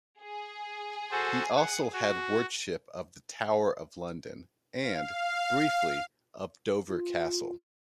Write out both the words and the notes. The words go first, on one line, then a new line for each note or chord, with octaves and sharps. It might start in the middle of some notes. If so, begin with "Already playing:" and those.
He also had wardship of the Tower of London, and, briefly, of Dover Castle.
G#4
F#4 A4 C5
F#5
F#4
F5
F4